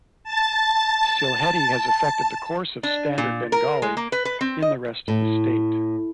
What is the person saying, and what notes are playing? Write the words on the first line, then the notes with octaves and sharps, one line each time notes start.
Sylheti has affected the course of Standard Bengali in the rest of the state.
A5 A6
D4
A#2
A#4
G#3
A#3
B4
B4
C4
D#5
A2